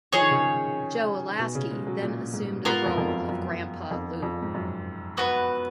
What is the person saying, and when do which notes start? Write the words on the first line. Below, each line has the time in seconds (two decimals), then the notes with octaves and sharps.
Joe Alaskey then assumed the role of Grandpa Lou.
0.13 F3 D#4 G#4 C#5
0.22 D#3
0.31 C#3
0.39 D#3
1.39 B2
1.55 C#3
1.71 G#3
1.87 F#3
2.02 A#2
2.33 G#2
2.65 G#2 B3 F4 A#4
2.86 F2
2.98 F2
3.08 F#2
3.28 F#2
3.91 F2
4.22 F2
4.43 G#2
4.54 F#2
5.17 B3 F#4 B4